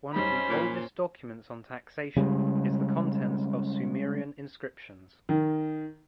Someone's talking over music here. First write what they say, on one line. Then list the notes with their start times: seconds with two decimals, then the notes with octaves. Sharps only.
One of the oldest documents on taxation is the contents of Sumerian inscriptions.
0.14 F#2 G3 C#4 D#4 C5 B5
0.49 A#2
2.16 C#3 G3 G#3
5.29 D#3